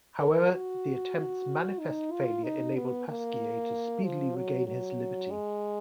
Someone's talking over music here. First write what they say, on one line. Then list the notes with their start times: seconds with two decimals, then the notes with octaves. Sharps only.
However, the attempt's manifest failure enabled Pasquier to speedily regain his liberty.
0.20 A#4
0.52 F#4
1.80 D#4
2.12 F4
2.44 D#4
2.76 B3
3.08 A#3
4.04 F3
4.36 F#3
4.67 F#3
5.32 G#3